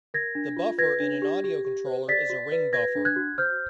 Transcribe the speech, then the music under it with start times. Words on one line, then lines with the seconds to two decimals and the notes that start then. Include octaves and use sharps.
The buffer in an audio controller is a ring buffer.
0.14 A#4 G#6 A#6
0.35 D4
0.57 F4
0.78 B4 G#6 A#6
1.00 D4
1.22 G4
1.44 G4
1.65 G4
1.87 C5
2.08 D5 A6 B6
2.30 F#4
2.52 B4
2.73 B4 G#6 A#6
2.96 D4
3.05 F#6 G#6
3.16 F#4
3.38 C5 F6 G6